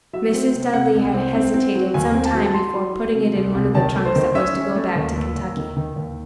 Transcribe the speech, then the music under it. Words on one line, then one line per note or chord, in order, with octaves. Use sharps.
Mrs. Dudley had hesitated some time before putting it in one of the trunks that was to go back to Kentucky.
F#3 E5
C4
C3
C3 F#5
C2
C4
C4
C4
F#3
D#2 G#5
C4
A5
F#3
A5
F#3 C6
F#3
F#3
C3
C2
C2
D#3 A5
A3
C5
D#3
C#4 E5
C#4
A3
D#2
D#2
D#2
D#3
D#3
D#2